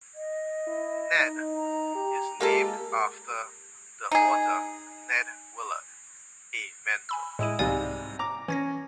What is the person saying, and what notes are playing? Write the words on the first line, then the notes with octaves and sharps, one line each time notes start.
"Nedd" is named after the author Nedd Willard, a mentor.
D#5
E4
D#4
A#5
G4
G#3 A#3 F4 G4 A4
D#4 G#4
G#5 B5 E6
A2 G#3 E4 D#7
C2 G#2 C3 G3 D5 F5 G#5
A#5 D6
E3 C#4 G#6 A#6